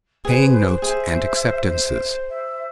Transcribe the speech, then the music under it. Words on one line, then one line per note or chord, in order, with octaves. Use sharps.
Paying Notes and Acceptances.
G#4 B4 C5
G#4 E5
E5